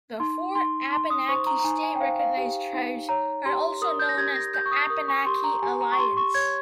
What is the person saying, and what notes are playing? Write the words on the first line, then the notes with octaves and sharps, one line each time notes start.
The four Abenaki state-recognized tribes are also known as the Abenaki Alliance.
D#4 C6
D#4 C6
D#4 C6
D#6
C5 C#6
A#5
A#5
D#4 G#5
G#5
G5
C5 F5
F5
G4
D#4
C#5 A#5
G4 C6
A#4 D#6
G6
A#6
G4 G#6
A#6
G4 G6
C#6
D#6
A#4 D#6
C#6
G4 C6
A#5
G4 G#5
A#5
C#6
G4 C6
C#6
C#5 G#6